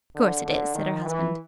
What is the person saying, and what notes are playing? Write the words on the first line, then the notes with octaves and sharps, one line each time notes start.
"Course it is!" said her husband.
D3
D3
D#3
E3